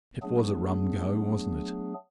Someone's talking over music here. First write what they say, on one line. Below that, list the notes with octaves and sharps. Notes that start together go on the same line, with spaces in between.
It was a rum go, wasn't it?
F#3 A3 B3 D4 G#4